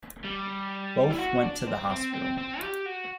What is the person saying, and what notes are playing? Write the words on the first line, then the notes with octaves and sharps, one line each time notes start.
Both went to the hospital.
G3
E4
F#4
D4
C4
C4
C4
C4
G4
F#4